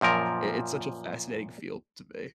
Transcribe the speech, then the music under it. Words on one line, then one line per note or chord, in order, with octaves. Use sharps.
I it's such a fascinating field to me.
F#2 A#2 F3 A#4